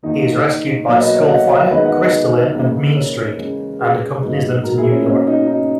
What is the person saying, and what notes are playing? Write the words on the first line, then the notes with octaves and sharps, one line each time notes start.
He is rescued by Skullfire, Krystalin and Meanstreak and accompanies them to New York.
E2 D#3 A#3 D#4
B2 F#3 A#3 A#4 C#5
B4 D#5
C#5 E5
D#5 F#5
C#5 E5
E2 D#3 G#3 B3 B4 D#5
D#5 F#5
B4 D#5
E2 C#3 E3 A#3
A#4 C#5
E2 C#3 G#3
G#4 B4
G#2 F#3 B3
F#4 A#4
E4 G#4
C#4
B2 A#3 C#4
D#4
D#4